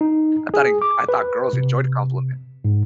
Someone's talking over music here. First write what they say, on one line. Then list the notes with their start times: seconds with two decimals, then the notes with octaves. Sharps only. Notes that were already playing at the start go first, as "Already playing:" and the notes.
I thought in I thought girls enjoyed compliments.
0.01 D#4
0.54 G#4
0.82 D6
1.09 B4
1.53 C3
2.65 G#2